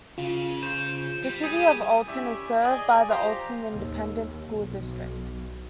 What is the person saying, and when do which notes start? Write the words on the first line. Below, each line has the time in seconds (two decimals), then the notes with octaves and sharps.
The City of Olton is served by the Olton Independent School District.
0.18 C#3 F4
0.63 C5
1.23 G3
1.44 G#4
2.07 C#4 E4 G4 D5 E5 G#5
2.63 G#4 D5 D#5 G#5
3.09 F3 F4 G4 C5 F5 A#5
3.70 D#2
4.51 B1